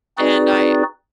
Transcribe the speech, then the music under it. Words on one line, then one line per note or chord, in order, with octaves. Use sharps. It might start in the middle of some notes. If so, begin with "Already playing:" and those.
and I
C4 D#4 F#4 G#4 B4 D5